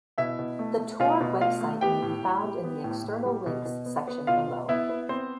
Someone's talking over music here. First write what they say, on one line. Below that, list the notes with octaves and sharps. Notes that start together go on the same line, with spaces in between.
The tour website may be found in the external links section below.
B2 E4 E5
B2
A3
A3
B2 F4 F5
B2
A3 F4 F5
A3
B3 G4 G5
A2
A2
G3
B3
A2
A2
G3
B2
B2
B3
B3
B2 F4 F5
B2
B3 E4 E5
B3
B3 C4 C5